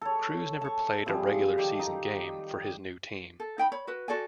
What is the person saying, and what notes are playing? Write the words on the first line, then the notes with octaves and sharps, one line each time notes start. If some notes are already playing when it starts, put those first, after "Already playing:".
Crews never played a regular season game for his new team.
A4 C#5
A5 C#6
C3 F3 G3 G#4
D3 D#3 G4
D#4
A4
D#4 G5 B5
C#5 B5
F#4 B4
F#4 A4 D5 G#5